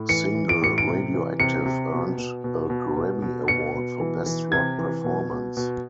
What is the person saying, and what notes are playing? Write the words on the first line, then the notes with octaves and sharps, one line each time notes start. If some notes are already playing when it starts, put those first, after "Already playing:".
Single "Radioactive" earned a Grammy Award for Best Rock Performance.
Already playing: A2
E3 C#7
E3
D7
A2 C#7
D7
C3
E3
C3 C#7
C3
B2
B2
B2
B2
B2
B2
B2 C#7
B2
E3
E3
C3 G#6
E3
B2
B2
B2